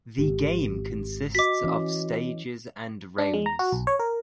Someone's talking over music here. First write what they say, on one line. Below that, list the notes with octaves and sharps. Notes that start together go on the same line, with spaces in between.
The game consist of stages and rounds.
G#1 G4
F#4 D#5 D6 B6
E3 C#4
D4
G#3
A#5
F#4
B1
C#5
A#4